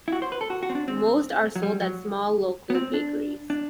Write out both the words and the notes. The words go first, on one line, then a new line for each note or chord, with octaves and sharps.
Most are sold at small local bakeries.
E4
F#4
C5
B4
A4
F#4
F#4
C4
D4
C4
F#3
G3
F#3
B3
C4
D4
D4